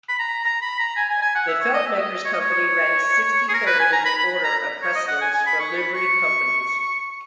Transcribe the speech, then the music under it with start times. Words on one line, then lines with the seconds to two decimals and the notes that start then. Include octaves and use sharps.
The Feltmakers' Company ranks sixty-third in the order of precedence for Livery Companies.
0.09 B5
0.19 A#5
0.45 A#5
0.62 B5
0.79 A#5
0.97 G#5
1.09 G#5
1.22 G#5
1.35 F#5
1.48 E5
1.61 C#5
1.74 D#5
1.87 E5
1.99 D#5
2.25 C#5
2.33 D#5
2.41 C#5
3.49 G#4
3.54 A#4
3.66 B4
3.80 G#5
3.93 A#5
4.05 B5
4.18 B5
4.44 A#5
4.83 C#5
4.96 D#5
5.08 F#5
5.21 G#5
5.34 G#5
5.47 B5
5.60 C#6
5.77 B5
5.94 C#6